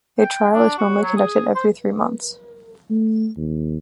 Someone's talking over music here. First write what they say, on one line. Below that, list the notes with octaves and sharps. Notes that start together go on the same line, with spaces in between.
A trial was normally conducted every three months.
G5
D4
F#4
F#3
G#4
C5
A3
D#2